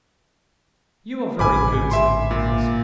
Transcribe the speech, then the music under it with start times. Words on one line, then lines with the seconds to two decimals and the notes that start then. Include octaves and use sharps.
'You are very good,' said Nicholas.
1.39 A1 G#2 D3 G#5 B5 D6
1.91 E5 C6
2.31 A#2